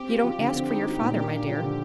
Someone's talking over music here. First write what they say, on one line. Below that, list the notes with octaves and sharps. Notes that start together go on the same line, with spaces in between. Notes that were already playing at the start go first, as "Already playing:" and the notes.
"You don't ask for your father, my dear."
Already playing: C4 G4
F4
F3
D3
C4
D#4
G3
A#2
A#3 G4
D4
F3 G4
D3